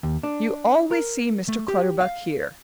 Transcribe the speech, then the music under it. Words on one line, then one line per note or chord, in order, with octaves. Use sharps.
You always see Mr. Clutterbuck here.
D#2
D4
A#4
A3
G4
F5